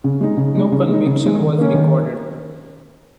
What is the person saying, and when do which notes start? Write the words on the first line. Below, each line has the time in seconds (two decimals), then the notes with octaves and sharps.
No conviction was recorded.
0.04 C#3
0.21 G#3 D#4
0.37 C#3
0.55 G#3 D#4
0.72 C#3
0.89 G#3 D#4
1.06 C#3
1.23 G#3 D#4
1.40 D#3
1.58 A#3 C#4
1.74 D#3